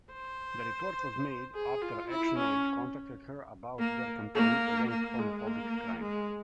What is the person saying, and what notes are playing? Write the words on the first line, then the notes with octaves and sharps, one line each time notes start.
The report was made after ActionAid contacted her about their campaign against homophobic crime.
C5
G#4
F4
E4
C#4
A#3
A#3
A#3
G#3
A#3
G#3